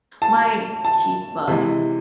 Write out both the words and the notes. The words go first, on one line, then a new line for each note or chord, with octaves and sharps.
my cheap butt
A5
A5
C3 E3 G#3